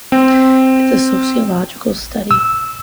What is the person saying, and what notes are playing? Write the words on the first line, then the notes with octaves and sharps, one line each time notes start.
It's a sociological study.
C4
E6